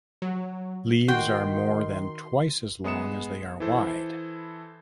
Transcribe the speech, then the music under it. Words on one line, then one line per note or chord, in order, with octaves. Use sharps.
Leaves are more than twice as long as they are wide.
F#3
D#3 F#4 G5 C6
G#3 B3 D#6 C#7 E7
E3 E4 A4 C5